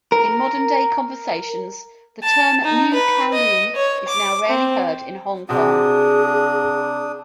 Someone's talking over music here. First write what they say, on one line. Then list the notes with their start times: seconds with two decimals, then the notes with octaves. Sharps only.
In modern-day conversations, the term "New Kowloon" is now rarely heard in Hong Kong.
0.12 A#4
2.23 A5
2.64 D#4
2.94 B4
3.33 D#5
3.76 C#5
4.08 D6
4.48 C4
5.49 C3 C4 D4 F#4 G#4 D#6